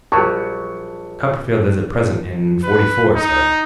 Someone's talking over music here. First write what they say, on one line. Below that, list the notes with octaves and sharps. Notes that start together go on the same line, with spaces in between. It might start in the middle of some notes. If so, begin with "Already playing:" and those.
Copperfield is at present in forty-four, sir.'
A#1 F#3 G3 A5 C#6
B4
D#4